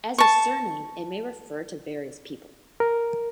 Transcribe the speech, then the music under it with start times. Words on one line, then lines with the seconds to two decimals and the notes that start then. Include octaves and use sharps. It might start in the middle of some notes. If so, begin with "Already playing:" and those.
As a surname it may refer to various people.
0.18 A5 C#6
2.80 A#4